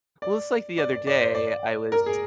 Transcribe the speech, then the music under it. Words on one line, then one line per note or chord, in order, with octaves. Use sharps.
Well, it's like the other day, I was
D5
D5
D5
D5
C5
D5
A#4
G#4